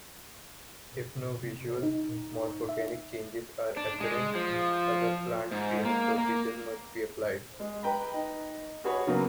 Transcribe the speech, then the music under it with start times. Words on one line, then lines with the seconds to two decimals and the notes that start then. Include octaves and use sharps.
If no visual, morphogenic changes are apparent, other plant screening procedures must be applied.
1.43 C3
1.83 D#4
2.69 E5
3.77 D4
4.00 G#3
4.35 F3
5.52 G#2
5.85 A#3
6.18 A#3
7.60 G#3
7.83 B4 G5 A#5 B5
8.14 D#4
8.84 F#4 G#4 B4 C#5
9.07 C#3 F#3 A#3 B3